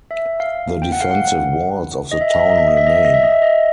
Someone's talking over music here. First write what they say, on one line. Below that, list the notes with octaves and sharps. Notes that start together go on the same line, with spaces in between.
The defensive walls of the town remain.
E5
F5
G5
F#5
F5
F#5
F#5
D#5
E5
D#5
E5
D#5
E5
D#5
E5
D#5
E5
D#5
E5
D#5
E5
D#5